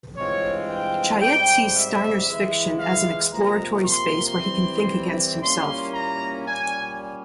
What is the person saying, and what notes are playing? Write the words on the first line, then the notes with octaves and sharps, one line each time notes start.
Cheyette sees Steiner's fiction as an exploratory space where he can think against himself.
G2 E3 G#3 C4 F4 C#5
G5
G#2 G3 C4 G5
E5
E3 G#3 E4
F5
C3 F3 A#3 A#5
C6
E3 G3 C4 E4
A#2 G3 A#3 C#4 E4 C6
A#5
A#2 G3 C#4 G#5